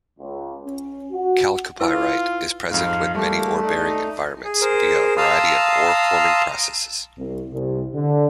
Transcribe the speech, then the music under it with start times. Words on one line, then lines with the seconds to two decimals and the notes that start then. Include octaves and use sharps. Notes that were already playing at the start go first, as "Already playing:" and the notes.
Chalcopyrite is present with many ore-bearing environments via a variety of ore forming processes.
0.19 C#2
0.64 C#4
1.11 F#4
1.80 E4 F4 B4 E6
2.71 F2 G#2 F5
3.15 G3 A3 A#3
3.62 D#4 A4 D5
4.44 G#4
4.61 G#4 A#4 C5
5.17 F5 A5 A#5 C6 D#6 E6
7.17 C2
7.52 C2
7.94 D3